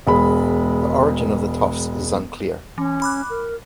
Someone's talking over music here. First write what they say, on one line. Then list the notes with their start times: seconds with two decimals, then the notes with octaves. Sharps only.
The origin of the Tofts is unclear.
0.07 E1 G#3 B5
2.78 E3 C#4
3.02 B5 D6 F#6
3.30 A#4